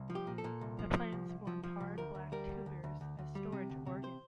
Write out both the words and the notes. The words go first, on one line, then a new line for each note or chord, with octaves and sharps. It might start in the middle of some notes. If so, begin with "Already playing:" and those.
The plants form hard black tubers as storage organs.
Already playing: C2
F3
G4
A#2
A4
A#2
C2
F3
F3
C2
C2
F3
F3
C2
D2 A#4
D2
G3 A#4
D2
D2
D2
D2
D2
G3
C3
D2
C3
C5